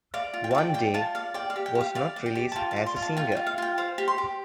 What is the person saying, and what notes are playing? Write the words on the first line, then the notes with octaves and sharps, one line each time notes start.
"One Day" was not released as a single.
D5 F5
F4
G5
A5
D5 G5
D5 G5
F4 A5
D5 F5
D5 G5
F5
G4
G5
G4
F5
D5 F5
D5
G5
G4
A5
F4 G5
A5
D5
C6
F4
A5
F4 G5
G5
F4
F5
F4 G5
C5 F5
G4
C6
G4